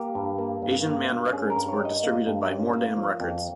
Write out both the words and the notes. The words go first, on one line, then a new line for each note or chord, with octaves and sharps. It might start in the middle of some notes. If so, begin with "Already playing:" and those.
Asian Man Records were distributed by Mordam Records.
Already playing: A#3 G4
G2
A#3
G2
A#3
G2
C#4 G#4
A#4
G2
C#5
G3
D#5
A#3
G2
C#4
A#3
F3
F2